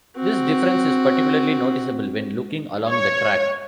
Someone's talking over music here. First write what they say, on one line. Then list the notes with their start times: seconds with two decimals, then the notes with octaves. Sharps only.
This difference is particularly noticeable when looking along the track.
0.16 C4 F#4
2.89 C#5